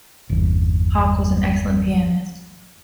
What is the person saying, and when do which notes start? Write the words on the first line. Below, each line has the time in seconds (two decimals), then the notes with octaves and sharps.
Hawke was an excellent pianist.
0.30 G1 E2